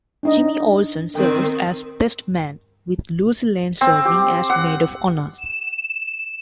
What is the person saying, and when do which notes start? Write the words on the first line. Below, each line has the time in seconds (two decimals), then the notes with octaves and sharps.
Jimmy Olsen serves as best man, with Lucy Lane serving as maid of honor.
0.23 D4 D#4 D#5
1.15 D#3 C4 G5
3.81 C4
4.05 G4
4.50 F#5
5.38 E7